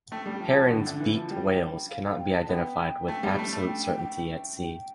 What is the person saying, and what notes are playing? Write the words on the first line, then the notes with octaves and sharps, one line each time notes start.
Perrin's beaked whales cannot be identified with absolute certainty at sea.
A3 G5
G3
G5
F3
A5
D3 G5
D3 E5
E3 E5
F3
G3 G5
F5
F5
G5
A5
B3 G5
A3
G3
A3
A3
G5
G5
G5
G5